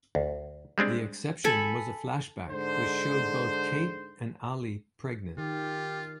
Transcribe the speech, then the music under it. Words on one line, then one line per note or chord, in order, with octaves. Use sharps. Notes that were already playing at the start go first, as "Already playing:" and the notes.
The exception was a flashback which showed both Kate and Allie pregnant.
D2
G3 G#3 C4 D4
A4 G#5 B5
G#2 D3 C5
D#3 F4 G4